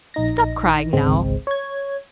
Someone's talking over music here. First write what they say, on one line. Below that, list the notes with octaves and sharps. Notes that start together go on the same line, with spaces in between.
Stop crying, now.
A#1 D#4 A#6
G#1 C#2 G#3 C4
C#5 G#6